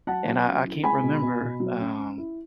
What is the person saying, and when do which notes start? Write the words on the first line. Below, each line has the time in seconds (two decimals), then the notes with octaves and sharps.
And I I can't remember, um
0.07 F#3 F#5 A5
0.26 F#3
0.46 C#4
0.65 E4
0.83 G#3 G#5 B5
1.03 B2
1.22 B2
1.41 B2
1.60 F#3
1.80 C#4
1.98 C#4
2.18 E4